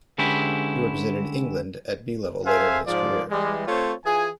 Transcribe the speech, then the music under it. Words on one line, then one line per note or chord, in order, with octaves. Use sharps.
He represented England at 'B' level later in his career.
D3 G#3 C#4 E4 G4 B4
G#4 A4 C5 E5 F5 G#5
G#2 F3 D5
E3 G3 G#3
A3 C4 F4 C5 C#5
E3 F4 G#4 G#5